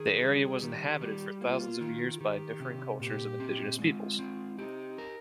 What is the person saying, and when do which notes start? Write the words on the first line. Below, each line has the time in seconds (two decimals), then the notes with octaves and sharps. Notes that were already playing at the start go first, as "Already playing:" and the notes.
The area was inhabited for thousands of years by differing cultures of indigenous peoples.
Already playing: D#3 G#4
0.22 G3
0.62 D#3 G4
1.01 G3
1.41 A#3 F4
1.81 D#3
2.21 D#3 G4
2.60 C3
3.00 A#2 G4
3.40 C4
3.79 G#3 F4
4.19 C4
4.58 D#4 G4
4.98 A#4